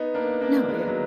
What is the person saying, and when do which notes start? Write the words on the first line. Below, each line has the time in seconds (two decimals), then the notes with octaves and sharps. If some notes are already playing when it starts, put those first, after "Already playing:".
No, yeah.
Already playing: B3 D#4
0.14 A#3 D4
0.41 A#3 D4
0.68 G#3 B3
0.87 F#3